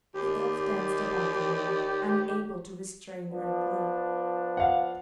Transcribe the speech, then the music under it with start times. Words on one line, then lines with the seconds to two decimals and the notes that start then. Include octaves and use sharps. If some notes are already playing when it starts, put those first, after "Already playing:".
The elf danced about the room, unable to restrain her glee.
0.15 D#2 D#4 G4 D5
3.30 F3 B3 D4
4.57 F5 F#5